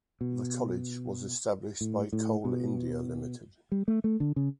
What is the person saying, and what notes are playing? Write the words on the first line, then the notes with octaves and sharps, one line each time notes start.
The college was established by Coal India limited.
B2
A2
A2
B2
G3
A3
A3
D3
C#3